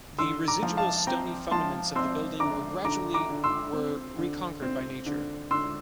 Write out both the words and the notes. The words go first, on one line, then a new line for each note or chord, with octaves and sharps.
The residual stony fundaments of the building were gradually were reconquered by nature.
D3 C6 E6
A#5 D6
F3
F5 A5
C4 G5 A#5
F3 A5 C6
C4 C6 E6
D3 A#5 D6
D3 A#5 D6
A#5 D6
D3
C6 E6
C4
D3
C4
D3
D3 C6 E6